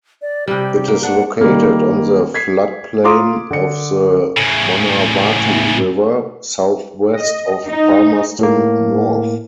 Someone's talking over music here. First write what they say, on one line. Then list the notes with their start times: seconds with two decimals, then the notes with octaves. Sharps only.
It is located on the floodplain of the Manawatu River, southwest of Palmerston North.
0.22 D5
0.48 C3 G3 G4
0.88 A#3
1.03 D4 F#5
1.41 D#3 G3 A#3
2.34 G#6 B6 C7
3.04 F4 F5 A#5 C6 D6 D#6
3.51 D3 C#7
4.37 A2 C#3
7.15 D#5
7.66 D#4
8.39 A2 A#3